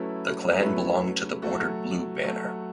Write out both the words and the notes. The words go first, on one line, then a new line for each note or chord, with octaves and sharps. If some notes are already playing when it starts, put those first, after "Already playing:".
The clan belonged to the Bordered Blue Banner.
Already playing: F#3 A3 C#4 E4 B4
F#3 A3 C#4 E4 B4
F#3 A3 F#4
F#3 A3 F#4